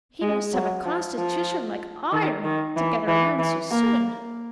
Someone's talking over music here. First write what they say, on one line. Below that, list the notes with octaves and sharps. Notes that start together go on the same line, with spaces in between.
"He must have a constitution like iron to get around so soon."
G#3
F#3
F3
F3
D#3
D#3
E3
E3
E3
A#3